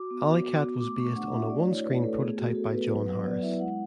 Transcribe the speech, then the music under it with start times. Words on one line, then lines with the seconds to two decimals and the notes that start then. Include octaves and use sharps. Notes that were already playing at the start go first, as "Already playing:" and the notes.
"Alley Cat" was based on a one-screen prototype by John Harris.
Already playing: F#4 D6
0.11 B3
0.28 F#4
0.45 F#4
0.63 B3
0.80 A3 D6
0.98 A3 C#6
1.15 D4 F#5
1.32 F#4 E5
1.50 A3 D5
1.67 E4 C#5
1.85 E4 B4
2.02 A3 A4
2.20 B3 G#4
2.37 F#4
2.54 F#4 A4
2.72 B3 B4
2.90 F#3 B4
3.07 F#3
3.25 B3 D5
3.42 E4 E5
3.60 G#3 F#5